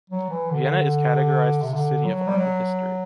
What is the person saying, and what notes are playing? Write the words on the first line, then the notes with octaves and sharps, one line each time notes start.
Vienna is categorized as a city of art and history.
F#3
E3
D3
C3
D3
F#3
G3
F#3